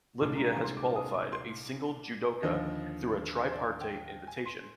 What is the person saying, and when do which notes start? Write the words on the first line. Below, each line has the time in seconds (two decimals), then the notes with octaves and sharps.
Libya has qualified a single judoka through a tripartite invitation.
0.21 C2 A#2 G#3 D4 D6
0.35 A#5
0.50 A#5
0.64 C6
0.77 D6
0.96 D#6
1.14 D6
1.32 C6
2.43 D#2 D3 F3 D#5
3.48 C5
3.53 D5
3.81 G5
4.09 G5
4.27 G#5
4.46 C6